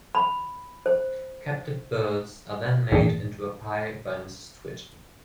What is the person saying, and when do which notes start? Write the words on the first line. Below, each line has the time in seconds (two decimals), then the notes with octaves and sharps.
Captive birds are then made into a pie by Mrs. Twit.
0.15 B5
0.86 C5
2.92 G#1 F2 A#2 E3 D4 G#4